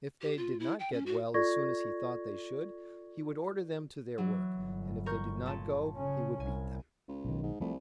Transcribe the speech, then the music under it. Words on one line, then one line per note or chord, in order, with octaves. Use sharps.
If they did not get well as soon as he thought they should, he would order them to their work, and if they did not go he would beat them.
G4
F4
E4
G5
C#4
F#4
F4 A4 D5 C#6 G#6 A#6
E3 F#3
G1
A#4 C#6 G6
A#2 A5
C#3 C#4
C2 G#5
C#2
B1 D#3
G#2
C2 F3 A3